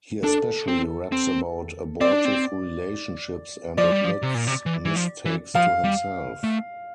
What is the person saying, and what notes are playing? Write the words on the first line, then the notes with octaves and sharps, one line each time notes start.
He especially raps about abortive relationships and admits mistakes to himself.
D4 A4
C4
C4
C4 D5
D4
C4
F3 D5
G3
F3
C3
A#2
C3
E3
E3
F3
E3
F3 F5
G3
A3